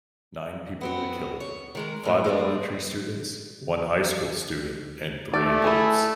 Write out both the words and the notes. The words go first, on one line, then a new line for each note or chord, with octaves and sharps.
Nine people were killed, five elementary students, one high school student and three adults.
B3 C4 F#4
C#5
D#3 G#3 A#4
E2 A2 E3
G#3 A#3 D4 G#4
A3 D5
E4 G#4